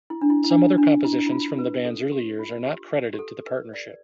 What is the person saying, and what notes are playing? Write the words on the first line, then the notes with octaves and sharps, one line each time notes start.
Some other compositions from the band's early years are not credited to the partnership.
E4
D4
E4
E4
D4
D4
E4
E4
F4
B4
A4
G4
F4
G4
G4
A4
B4
D5